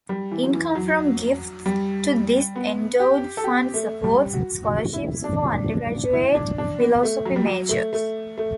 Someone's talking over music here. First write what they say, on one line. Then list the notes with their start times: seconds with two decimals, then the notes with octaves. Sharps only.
Income from gifts to this endowed fund supports scholarships for undergraduate philosophy majors.
0.09 G3
0.32 E3
0.43 F#3
0.54 E3
0.75 F#3
1.66 G3
2.56 B3
3.00 G4
3.37 A4
3.44 G4
3.74 A3
4.04 G3
4.33 F#4
4.63 F#4
4.93 E4
5.24 D4
6.13 E4
6.35 D4
6.58 D4
6.80 B3
7.03 A3
7.25 F#3
7.36 G3
7.47 F#3
7.69 A3
7.93 A3
8.38 A3